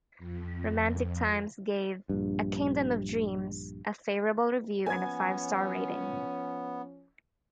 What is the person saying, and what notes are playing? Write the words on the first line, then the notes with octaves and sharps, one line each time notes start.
"Romantic Times" gave "A Kingdom of Dreams" a favorable review and a five-star rating.
F2
A#1 G2
F3 B3 C#4 G#5 G#6